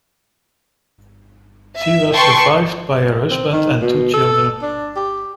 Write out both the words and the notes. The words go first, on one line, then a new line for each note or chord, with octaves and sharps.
She was survived by her husband and two children.
E5
B4 G5 A5 C6 C#6
C4
D#3
B2
A4
D4
G4